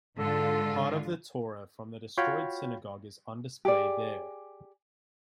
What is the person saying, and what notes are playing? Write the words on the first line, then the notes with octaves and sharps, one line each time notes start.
Part of the Torah from the destroyed synagogue is on display there.
G#2 D3 F4 A4
F4 F#4 C#5 F5 G5 B5
G4 G#4 D5